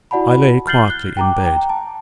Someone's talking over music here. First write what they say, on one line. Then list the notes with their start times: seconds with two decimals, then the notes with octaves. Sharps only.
I lay quietly in bed.
0.11 E4 F#4 D5 F#5 A5 B5
0.67 F6 G6 A6 C7 F#7 G7
0.88 F#6 G7
1.17 G5 A#5 D6
1.42 G5 A#5
1.69 A5